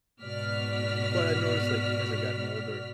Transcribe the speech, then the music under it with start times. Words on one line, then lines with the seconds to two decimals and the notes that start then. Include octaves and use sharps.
But I've noticed, like, as I've gotten older
0.21 G#2 B2 F#4 D5 F6 B6